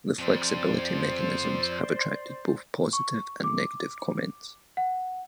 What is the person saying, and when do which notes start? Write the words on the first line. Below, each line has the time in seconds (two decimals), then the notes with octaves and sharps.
The flexibility mechanisms have attracted both positive and negative comments.
0.19 F2 C5 D5
2.93 C#6
3.44 D6
4.77 F#5